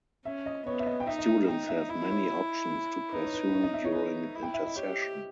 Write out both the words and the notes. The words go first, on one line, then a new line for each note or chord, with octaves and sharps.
Students have many options to pursue during intersession.
C#4 E5
D#5
B3 C#5
E5
D#5
G5
D#4 E5
D#5
E5
D#4 G5
E5
E4 D#5
C#5
D#4 B4
C#5
B4
B4
C#5
D#5
E5
C#5
D#4 B4
E4
G5
E5
D#5
G4 C#5